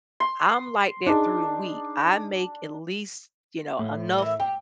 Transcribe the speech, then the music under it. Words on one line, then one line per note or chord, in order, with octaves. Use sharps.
I'm like that through the week. I make at least, you know, enough
C6
D4 D#4 G#4
A2
E3 A#4 E5
G4 G5